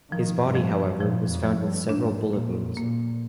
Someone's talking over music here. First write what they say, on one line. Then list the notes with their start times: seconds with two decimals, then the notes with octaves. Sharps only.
His body, however, was found with several bullet wounds.
0.11 D#3 F3
0.42 G2
0.55 F3
0.70 G2
1.00 A#2 F3
1.29 F2
1.44 F3
1.60 G2
1.88 G#2 D4
2.33 A#2 A#3
2.77 A#2 A#3